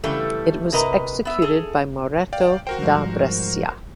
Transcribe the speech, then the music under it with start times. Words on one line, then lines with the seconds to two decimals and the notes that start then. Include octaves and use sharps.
It was executed by Moretto da Brescia.
0.04 C#3 E3 G3 A3 A4
0.72 C3 A#4 B4 D#5 A#5
1.25 B3 E5
1.42 G#4 A4
2.33 D5 F5 G5
2.67 F#4 A#4 C5 G5
2.82 G#2 F3 G3